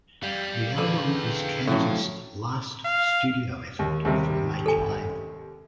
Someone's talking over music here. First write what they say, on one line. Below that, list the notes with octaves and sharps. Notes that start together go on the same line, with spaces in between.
The album is Kansas's last studio effort for a major label.
G3 F5 G5
D3 G#4 B4
A2 F3 F#3 F#5
F5
D#2
D#2 C3 G3
A4 G#5